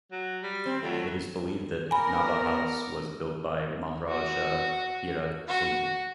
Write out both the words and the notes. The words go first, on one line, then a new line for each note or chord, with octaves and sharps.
It is believed that Nabha House was built by Maharaja Hira Singh.
F#3
G3
C4
F2 F#3 A3
B3 A#4 D5 G#5 B5
F#4
F#4